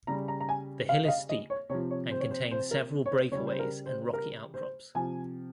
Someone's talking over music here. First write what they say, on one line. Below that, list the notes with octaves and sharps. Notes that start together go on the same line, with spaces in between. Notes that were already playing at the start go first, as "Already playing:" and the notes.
The hill is steep and contain several breakaways and rocky outcrops.
C#3 G3 A#5
A#5
A#5
G#5
F5
D#5
F5
D#5
C#5
C3 F3 C#5
C#5
C5
C#5
C5
C5
A#4
C#5
C5
C#3 G3 C#5
C5
A#4
C5
A#4
C5
C3 F3 G#5